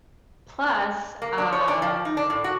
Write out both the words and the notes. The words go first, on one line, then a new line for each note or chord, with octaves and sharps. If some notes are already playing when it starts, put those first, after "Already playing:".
plus, uh,
A#3
D4
C#5
D4
F3
D#4
D4
A2
F#4